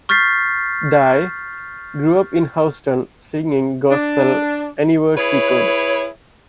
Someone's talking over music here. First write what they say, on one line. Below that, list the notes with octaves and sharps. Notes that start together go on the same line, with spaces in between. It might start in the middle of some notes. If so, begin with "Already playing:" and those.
Di grew up in Houston singing gospel anywhere she could.
C#6 F6 G6 A6 B6 C7
D4
E4 G#4 B4 C#5